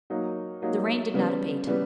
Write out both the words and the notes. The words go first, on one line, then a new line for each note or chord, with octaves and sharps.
The rain did not abate.
F#3 A#3 D#4
F#3 A#3 D#4
C#3 E3 G3 B3
C#3 E3 G3 B3